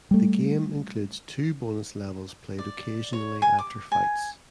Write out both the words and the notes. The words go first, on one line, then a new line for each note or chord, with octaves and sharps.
The game includes two bonus levels played occasionally after fights.
G3 A3
D5
C#5
G#5
D6
G#5